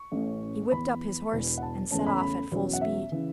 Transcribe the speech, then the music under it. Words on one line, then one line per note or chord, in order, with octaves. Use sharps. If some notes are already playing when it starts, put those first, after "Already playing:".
He whipped up his horse and set off at full speed.
Already playing: C#6
A1 A2 A3 C#4
E2 E3 B3 B5
E1 E2 E3
F#5
A5
E2 C#3 A3 C#4 A5
B5
B5
E2 B2 F#3 C#4
F#5
E5
C#3 E3